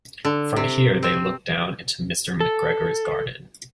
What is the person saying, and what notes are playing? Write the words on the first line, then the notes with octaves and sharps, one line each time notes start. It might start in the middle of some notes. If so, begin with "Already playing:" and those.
From here they looked down into Mr McGregor's garden.
D3
C3
C4
A4